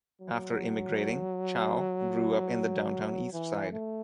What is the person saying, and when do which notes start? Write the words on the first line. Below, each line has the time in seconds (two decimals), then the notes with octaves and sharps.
After immigrating, Chow grew up in the Downtown Eastside.
0.21 F#3
3.33 E3
3.72 A3